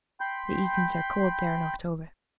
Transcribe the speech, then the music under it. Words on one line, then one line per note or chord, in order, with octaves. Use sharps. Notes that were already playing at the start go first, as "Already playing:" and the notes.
The evenings are cold there in October.
G5 B5 C6 G6